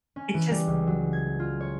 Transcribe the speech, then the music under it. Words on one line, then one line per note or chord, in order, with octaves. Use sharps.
it's just
C#4
E3
G3
C#2
F#3
G#6
F4
C#5